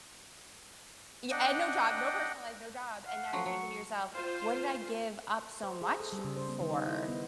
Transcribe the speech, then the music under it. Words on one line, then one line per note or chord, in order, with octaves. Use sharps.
Yeah, and no job. No personal life, no job. And now you're thinking to yourself, "What did I give up so much for?"
D4 D#5 F#5 G5
F5 F#5
F3 F#3 F#4 C6
F#3 C#6
F4 C5
C5
G#4
A4
G3
C#3
C5
B3
D#3
D#5
E4
B3